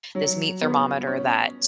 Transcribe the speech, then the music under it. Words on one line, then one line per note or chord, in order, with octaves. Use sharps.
this meat thermometer that
F#3
B3
C#4